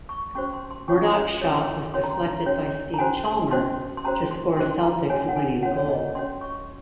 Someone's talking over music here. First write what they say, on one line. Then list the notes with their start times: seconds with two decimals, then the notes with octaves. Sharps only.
Murdoch's shot was deflected by Stevie Chalmers to score Celtic's winning goal.
0.09 C#6
0.35 C#4 F#4 C5 C#6
0.53 C6
0.71 C6
0.88 C#4 F#4 C#5 C#6
1.03 A#5
1.14 C6
1.41 C#4 F#4 C#5
1.94 C#4 F#4 C#5 C6
2.04 A#5
2.11 C6
2.28 A#5
2.46 C#4 F#4 C#5
2.94 A#5
2.98 C#4 F#4 C5 G#5
3.25 C6
3.51 C#4 F#4 C5 C6
3.97 C6
4.04 C#4 F#4 C5 A#5
4.31 C6
4.57 C#4 F#4 C5 C6
4.72 C6
4.83 A#5
5.10 C#4 F#4 C#5 G#5
5.29 F#5
5.36 G#5
5.62 C#4 F#4 C#5 F#5
5.77 C#5
5.89 D#5
6.15 C#4 F#4 C#5 C6
6.41 C#6